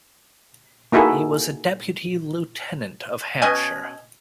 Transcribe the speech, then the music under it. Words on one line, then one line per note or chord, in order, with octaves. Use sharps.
He was a Deputy Lieutenant of Hampshire.
A#3 D#4 E4 F#4 G#4 A4
B2 C#4 D#5 G#5